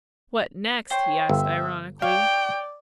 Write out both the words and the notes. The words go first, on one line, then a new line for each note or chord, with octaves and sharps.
"What next?" he asked ironically.
C5 C#5 G5 C6
G1 E5
C#5 D5 F5 G5